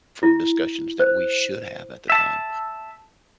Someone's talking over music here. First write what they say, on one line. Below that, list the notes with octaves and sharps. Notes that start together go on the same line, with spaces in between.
from discussions that we should have at the time
E4
C5
E5 A5